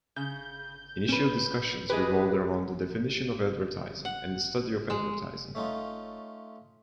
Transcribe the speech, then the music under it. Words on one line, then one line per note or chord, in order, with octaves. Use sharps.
Initial discussions revolved around the definition of advertising and the study of advertising.
C#3 G6
C4 C#4 B4
G4 G#4 B4 D#5
F#5
G#3
A3 C#4 D#4 F4